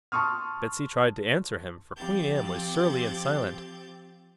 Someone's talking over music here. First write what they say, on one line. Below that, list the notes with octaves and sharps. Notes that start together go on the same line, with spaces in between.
Betsy tried to answer him, for Queen Ann was surly and silent.
A5 C6 C#6 D#6 F6
F3 C4 G4 G6 A6